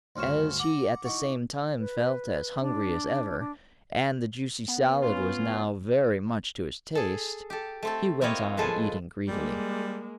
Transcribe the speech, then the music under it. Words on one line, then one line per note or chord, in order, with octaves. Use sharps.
As he at the same time felt as hungry as ever, and the juicy salad was now very much to his taste, he went on eating greedily.
D2 G2 C#4 C6 F6 E7
F#5 A#5 D6
D#4 E4 F#4
B4
D4
D4
B3
C#4 F4
G#4 A4
G4 A4
A3 C4 A4
A#3 C4 E4 F4 C#5 D#5
A#2 F3 G#3 A4 B4 G#5
G3 G#3 A#3